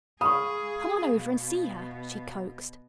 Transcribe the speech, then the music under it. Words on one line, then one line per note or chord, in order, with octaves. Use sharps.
"Come on over and see her," she coaxed.
G#4 F5 B5 C#6 D#6
B2